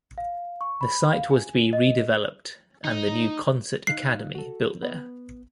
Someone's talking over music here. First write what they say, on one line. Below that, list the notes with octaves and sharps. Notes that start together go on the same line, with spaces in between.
The site was to be redeveloped and the new Consett Academy built there.
F5
C#6
B5
F5
G#5
D#5
D#4
D#4 F5 F#6 C7
F#4 A4
B3